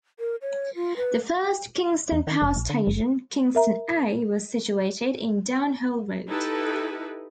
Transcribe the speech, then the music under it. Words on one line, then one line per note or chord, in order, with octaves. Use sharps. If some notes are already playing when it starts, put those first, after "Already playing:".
The first Kingston power station, Kingston A, was situated in Down Hall Road.
A#4
C#5
F4
B4
E2
D#3
F1
A#1
D3
F#1
A#4 E5 A#5
D#4 E4 G4 A4 B4